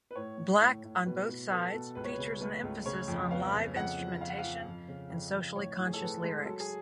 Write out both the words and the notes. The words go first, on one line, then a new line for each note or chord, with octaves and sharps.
"Black on Both Sides" features an emphasis on live instrumentation and socially conscious lyrics.
B4
A2 C#5
A2
A2
A2
B2 B4
B2
B3 A4
B2
C#2 B4
C#5
B4
C#3
A3 B4
C#2
C#3 C#5
F2
B3 F5
C#3
F2 F#5
F3
F3 F5
F#5
F5
F3
F2
C#3
F2
F2
A2 C#5
A2
G#4
A4
A2 B4
G#3
F#3 A4
G#4